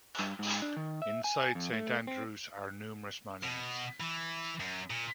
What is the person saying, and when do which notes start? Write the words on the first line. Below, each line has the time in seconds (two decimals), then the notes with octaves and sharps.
Inside Saint Andrew's are numerous monuments.
0.19 G2
0.39 G#2
0.62 D4
0.76 D#3
1.02 E5
1.24 G#5
1.55 F2
1.73 A3
2.07 C4
3.43 B2
4.00 E3
4.60 F#2
4.90 A#2